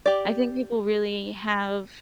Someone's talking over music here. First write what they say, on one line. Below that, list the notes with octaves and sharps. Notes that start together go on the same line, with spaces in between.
I think people really have
G4 D5